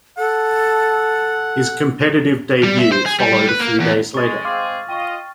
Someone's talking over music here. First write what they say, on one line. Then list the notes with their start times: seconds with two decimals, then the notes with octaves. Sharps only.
His competitive debut followed a few days later.
0.18 A4 F#5
2.63 G3
2.78 E5
2.92 C5
3.06 G#4
3.20 G3
3.34 G3
3.49 B4
3.61 A#3
3.80 E2
4.14 G#3 C#6 A6
4.45 G#3 C4 G#4 F5 C6 D6 F6
4.88 F4 D#5 G5 C#6